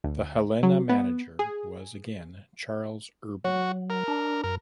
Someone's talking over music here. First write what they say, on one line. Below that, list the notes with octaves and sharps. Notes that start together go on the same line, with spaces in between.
The Helena manager was again Charles Irby.
D2
F#3
B3
G#4
F#3 F#4
A#4
D4
F#2 A#4